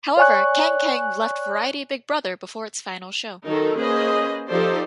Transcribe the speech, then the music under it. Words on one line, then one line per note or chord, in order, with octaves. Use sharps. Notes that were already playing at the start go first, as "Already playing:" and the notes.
However, Kang Kang left "Variety Big Brother" before its final show.
C#5 D5 G#5 C#6 F#6
D#3 F#3 D#4 A4 A#4
A#3 C#4 G#4 B4 C5 D#5
F3 D#4 G4 A4 C5 D5